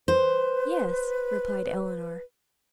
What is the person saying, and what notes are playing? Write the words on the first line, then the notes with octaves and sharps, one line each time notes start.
"Yes," replied Eleanor.
B4 C5